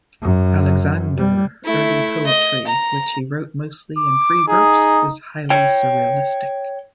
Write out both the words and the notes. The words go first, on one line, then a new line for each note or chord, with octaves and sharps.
Aleixandre's early poetry, which he wrote mostly in free verse, is highly surrealistic.
F#2
G3
A3 E4
D#5
A#5
D6
D#4 G#4
C#5 G5